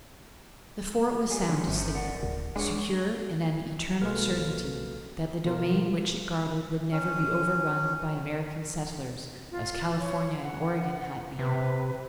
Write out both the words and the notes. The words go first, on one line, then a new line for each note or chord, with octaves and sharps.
The fort was sound asleep, secure in an eternal certainty that the domain which it guarded would never be overrun by American settlers as California and Oregon had been.
G3 C#4 G#4
G2 D3 D#3 G#3
G1 C#4 C5 E5
A#4 D5 F#5
D1
G#3 D4 B4 C#5
B1 A#3 F#4 A4 B4 F6
B2 D3 E3 F4 A#4
C#4
F4
C#5
F#5
C3 B4